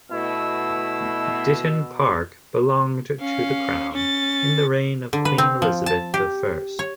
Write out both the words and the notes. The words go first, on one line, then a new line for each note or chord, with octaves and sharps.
Ditton Park belonged to the crown in the reign of Queen Elizabeth the First.
B2 A3 E4 E6
C#4 F5
C#4 A6
D3
B4
C4
F3
A5
G4
C#5